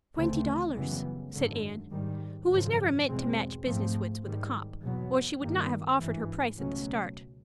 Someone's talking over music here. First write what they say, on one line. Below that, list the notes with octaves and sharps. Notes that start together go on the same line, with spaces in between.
"Twenty dollars," said Anne, who was never meant to match business wits with a Copp, or she would not have offered her price at the start.
D2 C#3 E3 A3 C4
F#2 C#3 E3 G3 B3
G#1 F#2 D3
G#2 D#3 G3
G#1 F#2 C#3 F3
E2 B2 G#3 C4
A#1 G#2 F3 A3 C4
G#2 D#3 G3
E2 B2 F#3 B3
G2 D#3 G3 A#3
G#1 G2 E3
C#2 B2 F#3 A3 C#4